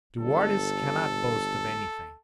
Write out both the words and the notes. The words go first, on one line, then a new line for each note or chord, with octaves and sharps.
"De Wardes cannot boast of anything."
G1 A4